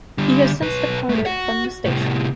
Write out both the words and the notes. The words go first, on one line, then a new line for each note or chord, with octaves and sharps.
He has since departed from the station.
D3 G3
B1 B4
G2 A3
F#4 F#5
A2 C3